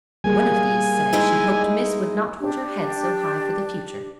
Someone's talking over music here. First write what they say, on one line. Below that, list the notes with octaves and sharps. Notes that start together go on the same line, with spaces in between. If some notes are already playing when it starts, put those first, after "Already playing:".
One of these said she hoped miss would not hold her head so high for the future.
G3 A#3 G#4 G#5
G#3 D#4 E4
D4 G4